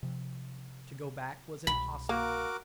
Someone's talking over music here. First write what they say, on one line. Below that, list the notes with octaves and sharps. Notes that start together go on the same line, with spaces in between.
To go back was impossible.
C3 F3
C2 B2 B5
A#3 F#4 A#4 D6